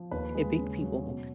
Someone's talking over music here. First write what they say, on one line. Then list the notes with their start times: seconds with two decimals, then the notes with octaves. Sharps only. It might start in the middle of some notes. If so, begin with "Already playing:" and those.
evict people w
Already playing: F3
0.11 D#2 B4
0.35 G#3
0.58 C#3
0.82 F#3
1.05 B2